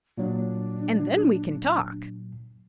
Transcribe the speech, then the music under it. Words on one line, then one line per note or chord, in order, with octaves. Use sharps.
And then we can talk.
A#2 F#3 D4